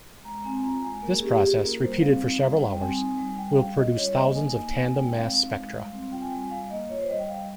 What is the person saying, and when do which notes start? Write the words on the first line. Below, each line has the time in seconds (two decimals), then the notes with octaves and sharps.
This process, repeated for several hours, will produce thousands of tandem mass spectra.
0.24 G#3 A#5
0.44 C4 G#5
0.63 F4 A#5
0.83 G#3 G#5
1.02 A#3 A#4
1.12 G#4
1.22 C#4 G4
1.32 G4
1.41 F4 G#4
1.61 A#3 A#4
1.80 G3 C5
2.00 C4 F5
2.20 D#4
2.39 G3
2.59 G3 G5
2.79 C4 G#5
2.98 D#4
3.18 G3
3.37 G3 G5
3.57 C#4 F5
3.76 F4 D#5
3.95 G3 C#5
4.15 A#3 D#5
4.35 D#4 G#5
4.55 A#3
4.74 D#4
4.87 G#5
4.94 G#3 G5
5.13 C4 F5
5.33 D#4
5.53 G#3
5.73 G3
5.92 C4
6.12 F4 G5
6.21 G#5
6.31 G3
6.41 G#5
6.50 G3 F5
6.70 A#3 D#5
6.89 F4 C#5
6.99 C5
7.09 G3 D#5
7.19 G5
7.28 G3 F5